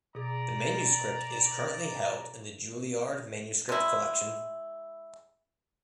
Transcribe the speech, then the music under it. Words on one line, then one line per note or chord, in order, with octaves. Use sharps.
The manuscript is currently held in the Juilliard Manuscript Collection.
B2 G#4 D5 A#5
G#3 E4